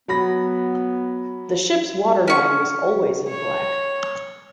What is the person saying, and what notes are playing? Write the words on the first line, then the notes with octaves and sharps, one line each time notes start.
The ship's waterline was always in black.
F#3 B3 B5 A#6
C#4 C#6
C#5